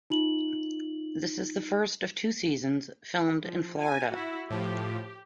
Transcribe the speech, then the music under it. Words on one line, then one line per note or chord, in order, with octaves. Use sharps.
This is the first of two seasons filmed in Florida.
D#4 F4 F#7
F3
G#5
E4 F#4
A2 F3 G4